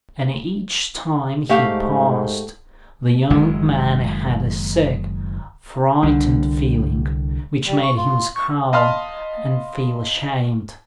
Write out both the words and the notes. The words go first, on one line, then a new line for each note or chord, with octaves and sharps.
And each time he passed, the young man had a sick, frightened feeling, which made him scowl and feel ashamed.
G#2 A3 G4 F5
F#1 D#3 G#3
C2 D3 G3
G3
C#6
F4
C#6
D#5 F5 A5 B5 C6 F6